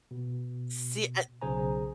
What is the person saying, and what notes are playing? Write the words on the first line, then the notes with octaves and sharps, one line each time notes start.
See, I
B2
B1 C#3 G#4 C5 G#5 A#5